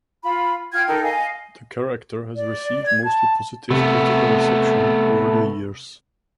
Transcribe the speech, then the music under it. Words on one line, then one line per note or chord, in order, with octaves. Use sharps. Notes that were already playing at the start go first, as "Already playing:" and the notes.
The character has received mostly positive critical reception over the years.
F4 B5
F4 G5 F6 G#6
D#4 A4 A#4 G5
D#5 F5 G#5
D5
G#6
A5
C3 A3 B3